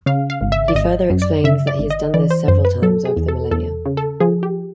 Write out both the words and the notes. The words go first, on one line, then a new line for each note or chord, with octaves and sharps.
He further explains that he has done this several times over the millennia.
C#3 F5
F5
G#1
E5
D5
G#1 D#5
F#2
D5
C#3 E5
D5
G#1
D#5
E3 D5
C5
F#2 C5
B4
F#3 A4
G#4
E2
A4
E2 A4
C#3
A4
F3 G#4
G4